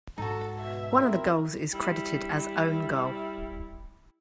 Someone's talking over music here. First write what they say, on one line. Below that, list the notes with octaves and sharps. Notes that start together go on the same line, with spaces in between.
One of the goals is credited as own goal.
G#2 G#3 D#4 F#4 A4
B2 E5
C4 E4 A#4
G3 E4